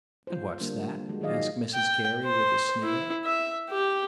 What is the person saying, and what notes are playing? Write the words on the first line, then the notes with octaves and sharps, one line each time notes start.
"And what's that?" asked Mrs Carey with a sneer.
F4 C5
D3 G3 A#3 D4
F3 G#3 F#4
D#3 F#3 G#4 D5 D#5 F5
G5
C5
E4
E5
G4